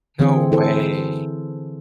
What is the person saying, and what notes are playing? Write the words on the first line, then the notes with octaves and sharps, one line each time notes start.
No way.
D3 E3 C4 G#4
E4 A4 C5